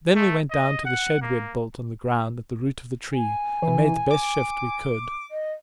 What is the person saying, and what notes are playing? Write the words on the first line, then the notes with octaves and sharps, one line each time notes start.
Then we went down to the shed we had built on the ground at the root of the tree, and made the best shift we could.
A3
D#5
F#5
A#3
G#5
E3
D6
D#5